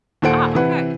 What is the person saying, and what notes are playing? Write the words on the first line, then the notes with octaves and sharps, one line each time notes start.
Ah, okay.
D#2 A#2 A4 C5 F#5 D7
C3 E3 E4 B4 F#5